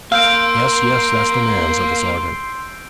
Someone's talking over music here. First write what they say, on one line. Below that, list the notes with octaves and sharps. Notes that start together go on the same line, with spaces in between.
'Yes, yes; that's the man,' said the sergeant.
A#3 F5 C6 E6 G6 D7